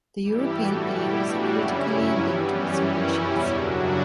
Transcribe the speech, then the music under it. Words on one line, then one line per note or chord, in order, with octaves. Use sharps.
The European eel is a critically endangered species.
G2 E3 G3 E4 G4
A2 E3 G3 F#4 A4
B2 G3 E4 G4
A2 E3 G3 D4 F#4
F#2 C#3 G3 C#4 E4
G2 F#3
G2 E3 G3 B3
F#2 E3 G3 C#4
F#2 E3 G3 C#4 E4
E2 B2 G3 C#4 E4
F#2 C#3 F#3 D4 F#4